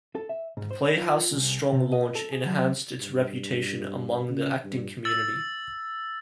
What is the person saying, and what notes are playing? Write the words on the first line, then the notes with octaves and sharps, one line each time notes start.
The Playhouse's strong launch enhanced its reputation among the acting community.
A4
E5
G#2
C5
F4
C2
C3
D#5
A4
G#4
F#3
G2
C#3
G2
E6 A6